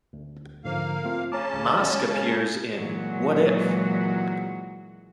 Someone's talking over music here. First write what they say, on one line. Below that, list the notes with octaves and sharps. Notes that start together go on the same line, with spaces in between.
Masque appears in What If?
D2
G#2 D3 F3 A#3 F5
A3 C4 F4
C#3 C#4 C#5 A5 A#5 D6
D2
G#3
A#2 E3 F#3 G#3 F#4